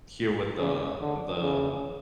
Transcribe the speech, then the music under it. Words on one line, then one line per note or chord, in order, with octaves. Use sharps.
here with the the
C#3
D3
C#3